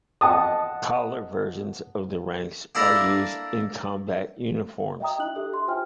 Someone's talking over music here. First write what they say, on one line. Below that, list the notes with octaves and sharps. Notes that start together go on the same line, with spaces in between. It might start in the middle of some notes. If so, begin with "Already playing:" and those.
Collar versions of the ranks are used in combat uniforms.
D#5 F#5 A5 D#6
A#3 D4 E4 A4 A#4
D#5 E5 G5 A#5 D#6
D4 E4 F#6 F#7
G4 A4 E5
C6
F4 C5 E5 G5 G#5 F6